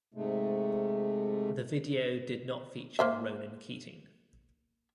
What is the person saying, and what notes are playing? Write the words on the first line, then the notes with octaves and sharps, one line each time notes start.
The video did not feature Ronan Keating.
G#2 C3 G#3 A3
A#3 C5 E5